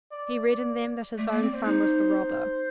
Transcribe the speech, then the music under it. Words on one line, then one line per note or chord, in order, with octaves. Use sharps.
He read in them that his own son was the robber.
D5
D5
A3 D5
A#3
C4
C5
D#4